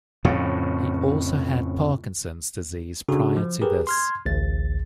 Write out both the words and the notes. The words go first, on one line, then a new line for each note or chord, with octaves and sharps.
He also had Parkinson's disease prior to this.
F2 A2 C#3
C#3 D4 F#4 A4
F3
G4 G#4 A#4 B4
C6 F6 G#6
A1 D2 A6